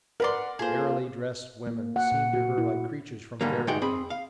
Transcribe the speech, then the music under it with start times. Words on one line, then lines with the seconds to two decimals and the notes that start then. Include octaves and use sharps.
The airily dressed women seemed to her like creatures from fairy-land.
0.20 A#4 B4 D5 F#5 B5 C6
0.59 A#3 F4 G#4 A4 C5
1.67 A#3
1.96 F#5
2.12 A#2
2.33 F#4
2.58 E4
3.41 D#2 G#2 D3 G3 A#3
3.67 D2 G#3 D#4 F#4 F#5 G5
3.82 C4 G#4 B5
4.10 F5